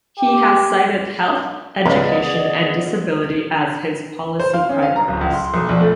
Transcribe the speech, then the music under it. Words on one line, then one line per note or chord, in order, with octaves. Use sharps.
He has cited health, education and disability as his policy priorities.
G4
C#2 B3 G#4 D5 D#5
C5
F5
C#4
F5
A#5
D1
C#2
C6
B1
A#1
A3